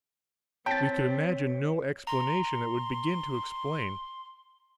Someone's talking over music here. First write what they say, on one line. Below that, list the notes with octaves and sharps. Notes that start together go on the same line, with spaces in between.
We could imagine no explanation that would begin to explain.
C4 C#5 G5 A5 A6 B6
A#5 C6